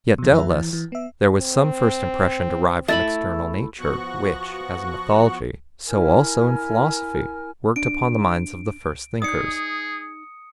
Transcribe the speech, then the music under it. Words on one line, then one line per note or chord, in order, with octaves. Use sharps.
Yet, doubtless, there was some first impression derived from external nature, which, as in mythology, so also in philosophy, worked upon the minds of the first thinkers.
B2 F3
F2 F3 E4 B4 E5
E3
E3
B3 E5
C4
A3 E4 E5 B5 A6
F3 B3 F#4 F#5 C#6 F#6
E4 A#4 G#5 F6
D4 D7
D#4 G#4 D5 D#6 C#7